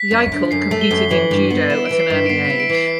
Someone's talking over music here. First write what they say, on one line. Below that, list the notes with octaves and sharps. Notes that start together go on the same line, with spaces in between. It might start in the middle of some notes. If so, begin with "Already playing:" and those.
Jaeckel competed in Judo at an early age.
Already playing: B6
F#2
D3
F#2 C7
A3
G7
F#2
E3 F#7
G2
B3
E4 E7
D7
E3
C7
G2
B6
D7
B3 C7
B6
E4
D7
E3
C7